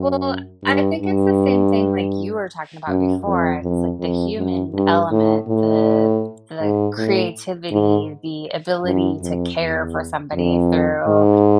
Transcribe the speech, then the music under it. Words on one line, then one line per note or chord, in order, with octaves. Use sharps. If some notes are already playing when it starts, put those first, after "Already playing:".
Well, I think it's the same thing like you were talking about before. It's, like, the human element, the the creativity, the ability to care for somebody through
Already playing: F#2
G2
G2
F#2
F2
F2
F2
F#2
G2
A2
A2
G#2
A2
G#2
F#2
F2
E2
F2
G#2